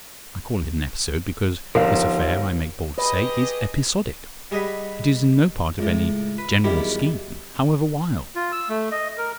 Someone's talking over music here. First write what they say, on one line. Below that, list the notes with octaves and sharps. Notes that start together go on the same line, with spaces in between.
I call it an episode, because this affair, I make bold to say, is episodic; it is no part of any general scheme, however wild.
G1 D#2 F3 A#4 F5
G4 G#4 B4 D#5
G3 G#4 D#5 F#5 B5
C#2 A2
B4
B1 E2 D#3 G3 E4 G4
F4
E6
A3
D#5
A#4